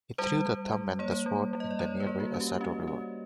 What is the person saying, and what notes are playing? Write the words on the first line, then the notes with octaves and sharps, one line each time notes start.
He threw the thumb and the sword in the nearby Asato River.
G3 C5
G3
G3
A#3 C#5
G3
G3
D#5
D5
G3 C#5
B4
A#3
F#4
C#4
G4
C#4 F#4
C#4